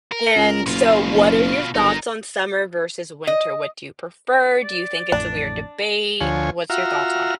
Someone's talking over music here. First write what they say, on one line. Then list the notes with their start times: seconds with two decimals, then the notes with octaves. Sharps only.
And, so, what are your thoughts on summer versus winter? What do you prefer? Do you think it's a weird debate? What's your thoughts on it?
0.12 A#4
0.35 C#2
0.66 F#1 B2 F4
1.15 F#1
1.75 G1 D#4 A#4
3.27 D#5
4.63 D5
5.12 A1 F2 A2 D4
6.21 D2 F3 C#5 G#5
6.70 F4 F#4 E5 A#5 F6